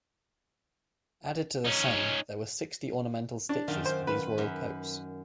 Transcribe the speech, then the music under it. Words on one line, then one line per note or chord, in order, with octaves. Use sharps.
Added to the same there were sixty ornamental stitches for these royal coats.
C#4 D#4
D4
F#2 D#3 F4
C5
B4
F#2